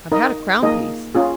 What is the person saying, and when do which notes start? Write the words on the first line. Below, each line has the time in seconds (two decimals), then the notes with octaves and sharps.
I've had a crown-piece.
0.12 D#4 A#4 D#5
0.62 A#3 D#4 G#4 D#5
1.15 C#4 F4 G#4